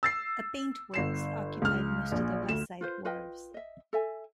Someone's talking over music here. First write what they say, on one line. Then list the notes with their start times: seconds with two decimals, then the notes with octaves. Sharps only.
A paint works occupied most of the west side wharves.
0.03 E6 A6 C7
0.94 G1 C7 E7
1.62 C#2 F6
2.12 A#1
2.48 D2 E7
2.81 F4 B4 C5
3.05 F4 B4 D#5 G5
3.54 D#5 E5
3.93 A4 E5 G#5